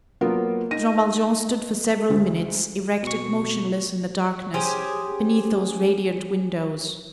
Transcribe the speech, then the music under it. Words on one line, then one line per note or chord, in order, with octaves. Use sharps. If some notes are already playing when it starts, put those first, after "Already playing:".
Jean Valjean stood for several minutes, erect and motionless in the darkness, beneath those radiant windows.
F#3 A#3 B3 F4 A#4
D#4 A#6 D#7
D2 G#3
B2 C#6
C#4 G4 G#4 C5